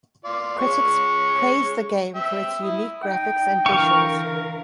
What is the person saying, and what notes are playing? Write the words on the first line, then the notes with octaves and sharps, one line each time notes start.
Critics praise the game for its unique graphics and visuals.
F4 D5
G#3 C#4 C#6
E5 G5
E4 D#6
D#4 G5
D3 E3 A#4 F5 C#6